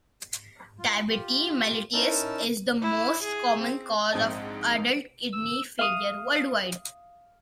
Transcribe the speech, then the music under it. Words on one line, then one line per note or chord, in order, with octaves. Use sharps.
Diabetes mellitus is the most common cause of adult kidney failure worldwide.
F4
F4 G4
C#4 D#4 E4 A#4 A5 E6
E4
G#4
C4
A#1 G#2 C4 D#5 A5
E6
F5 D#6